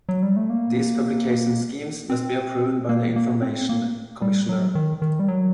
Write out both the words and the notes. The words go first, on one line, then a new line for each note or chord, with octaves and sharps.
These publication schemes must be approved by the Information Commissioner.
F#3
G3
A3
A#3
C4
A#3
A#3
C4
A#3
G3
F#3
D#3
D#3
G3
F#3